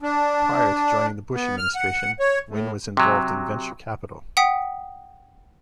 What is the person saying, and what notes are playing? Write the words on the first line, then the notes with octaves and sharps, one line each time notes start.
Prior to joining the Bush Administration, Wynne was involved in venture capital.
D4
B3
F6
F#5
C#5
A2
C3 F#3
F#5 G5 D#6 B6